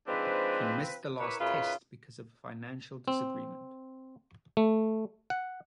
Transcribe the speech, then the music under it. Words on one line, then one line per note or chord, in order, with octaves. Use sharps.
He missed the last Test because of a financial disagreement.
F3 G#3 C4 D4 D#4 B4
E4 G4 A#4 B4 C#5
F#2 C#3 D#4 F4 B4
C4
A3
F#5